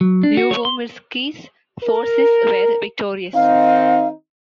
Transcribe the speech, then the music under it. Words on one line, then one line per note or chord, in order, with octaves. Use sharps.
Lubomirski's forces were victorious.
F#3
D4
F#4
C#5
C6
A#4
D#3 C4 D#4 F5